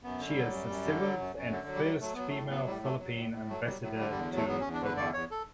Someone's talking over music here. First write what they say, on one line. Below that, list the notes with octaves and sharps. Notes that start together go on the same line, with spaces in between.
She is the seventh and first female Philippine Ambassador to Oman.
F#2 B3
D3
G3
F#3
F#2
F#2
D3
F#3
F#2
F#2
D3 F#3
F#3
G3
F#3
F#3 A3
F#3 B3
A3
A2
F#3 B3
A2 G3
F#3 A3
F#3
A2
A2
F#3 A3
F#3 G3
A2 F#3
F#3
D3 G3
E2 G3
F#3
A3
E2 B3
C#4
E2
D4
D3 B4
E2 D5
E2 C#5
A4